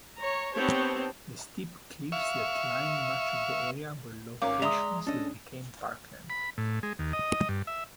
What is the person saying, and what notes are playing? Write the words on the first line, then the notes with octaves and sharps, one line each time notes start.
The steep cliffs that line much of the area were locations that became parkland.
C#5 A#5
B3 C4 D#4 G4 C#5 A5
E5 F5 C#6
G#1 C#4 A#4 F5 D6
G#3 D5 E5 A#5 C6 D#6 F7
C#4 D4 A4 D#5
B5
A2
G#3
D#2
D#5
G2
E5